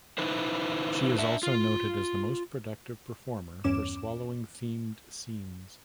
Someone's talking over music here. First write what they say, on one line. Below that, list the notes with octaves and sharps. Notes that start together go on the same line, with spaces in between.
She is also noted as the most productive performer for swallowing themed scenes.
D#4 E4 B4 C5
D4 E5
F4
E2 G2 C#4 D6 E7